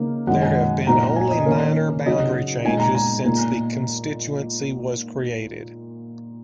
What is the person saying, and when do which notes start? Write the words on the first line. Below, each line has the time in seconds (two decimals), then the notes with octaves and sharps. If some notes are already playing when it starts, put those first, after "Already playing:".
There have been only minor boundary changes since the constituency was created.
Already playing: C#3 A#3 D#4 A#4
0.27 F#2 D#3 G#3 D#4 F#5
0.42 G#5
0.87 A#2 F#3 D#4 A#5
1.16 G#5
1.31 D#5
1.46 D#3 A#3 C#4 A#4
2.06 C#3 F#3 D#4 D#5
2.65 A#2 G#3 D#4 G#5
2.80 A#5
2.95 A#5
3.25 A#2 A#3 D#4